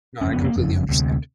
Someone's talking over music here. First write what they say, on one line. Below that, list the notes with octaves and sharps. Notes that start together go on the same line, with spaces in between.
No, I completely understand.
F#1 F2 C#3 C#4
B3
A#3
F#1 F2 C#3
D2 C3